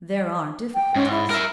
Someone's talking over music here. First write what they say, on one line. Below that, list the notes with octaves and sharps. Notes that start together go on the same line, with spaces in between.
There are difficulties.
G5
G#2 C#4
E4
A#4 E5